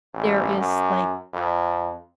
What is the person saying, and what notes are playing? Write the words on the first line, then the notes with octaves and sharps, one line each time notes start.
there is, like,
A1
F#2
F2